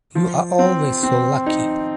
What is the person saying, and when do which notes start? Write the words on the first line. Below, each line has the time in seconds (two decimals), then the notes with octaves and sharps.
You are always so lucky.
0.15 F3
0.59 C4
1.03 C4
1.46 D#4